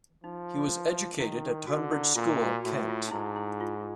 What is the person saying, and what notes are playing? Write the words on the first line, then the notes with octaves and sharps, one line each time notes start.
He was educated at Tonbridge School, Kent.
F3 D#4
D#3 E4
D3 F#4
E4
A#2 F4
F#4
A2 F#4
F4
D#4
G#2 E4
E4
F4